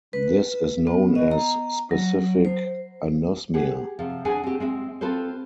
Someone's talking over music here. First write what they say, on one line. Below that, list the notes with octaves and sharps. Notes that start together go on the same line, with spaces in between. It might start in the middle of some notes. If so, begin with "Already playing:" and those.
This is known as "specific anosmia".
B4
B3
D#5
A#5
F#3
C5
G4 G#4 F#5
C3 F3
D4 G#4 F#5 G#5
C4 G4
G#3 C4 E5
C4 F4 A4 B4 C5